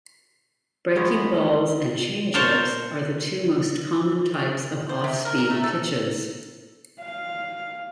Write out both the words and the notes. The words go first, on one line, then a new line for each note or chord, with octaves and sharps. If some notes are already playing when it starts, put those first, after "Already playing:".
Breaking balls and changeups are the two most common types of off-speed pitches.
G#3 B3 C#5
G2
A#4 C5 C#5 A5
C5
C3
A#4
A#4
A3
A4
F5